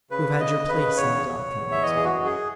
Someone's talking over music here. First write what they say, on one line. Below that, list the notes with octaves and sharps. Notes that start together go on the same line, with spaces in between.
You have had your place in the dog-kennel as well.
C#3 B4
C#3 D#5
C#3 B4
E2 C#5
E2
E2
E5
E3 D#5
G#4
F#4
F#2
G#4